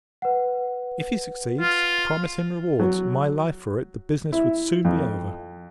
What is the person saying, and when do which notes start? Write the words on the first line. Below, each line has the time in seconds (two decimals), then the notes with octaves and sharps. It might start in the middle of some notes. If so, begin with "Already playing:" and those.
If he succeeds, promise him rewards; my life for it, the business would soon be over.
0.22 B4 F#5
1.61 F4
2.80 F#3
4.32 E4
4.85 F2